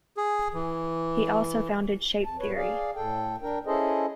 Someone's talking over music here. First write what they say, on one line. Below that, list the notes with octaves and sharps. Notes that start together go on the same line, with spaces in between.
He also founded Shape theory.
G#4
E3
F2 A5
E2 G#2 B4 C#5
G#4 D5 F5
A2 A4 G5
D4 A#4 G5
C#4 E4 G#4 A4 C5 D#5